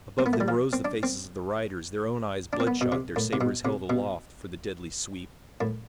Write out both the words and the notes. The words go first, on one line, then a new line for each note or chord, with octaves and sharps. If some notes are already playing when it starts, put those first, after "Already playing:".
Above them rose the faces of the riders, their own eyes bloodshot, their sabers held aloft for the deadly sweep.
C4
B3
A3
G3
F3
C4
D4
C4
D4
C4
B3
B2
C3
A2
C3
B2
C3
B2
A2